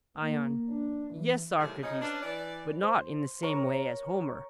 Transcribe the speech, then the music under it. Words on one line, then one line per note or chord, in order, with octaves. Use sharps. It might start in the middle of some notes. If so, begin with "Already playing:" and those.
ION: Yes, Socrates; but not in the same way as Homer.
A#3
D4
E3
D#2 A2 C3 G3 G#4
C#3 F3 D#4 C#5 D#5
B3 C#4 D4
E3 D5
C5
A#4 C#5